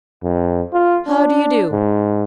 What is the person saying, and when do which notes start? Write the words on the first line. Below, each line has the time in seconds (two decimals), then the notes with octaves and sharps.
How do you do?
0.24 F2
0.73 F4
1.07 D4
1.71 G#2